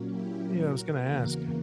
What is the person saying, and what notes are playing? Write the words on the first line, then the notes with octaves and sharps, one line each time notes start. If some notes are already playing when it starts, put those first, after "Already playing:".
Yeah, I was gonna ask.
Already playing: A#2 F#3 A#3 C#4
E4 G4
F#4 A#4
E2 C#3 E3 A#3 F#4 A#4